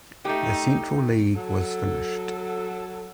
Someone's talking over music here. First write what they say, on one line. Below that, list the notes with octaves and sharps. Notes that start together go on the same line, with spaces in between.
The Central League was finished.
A3 D#4 G4
F#3 A4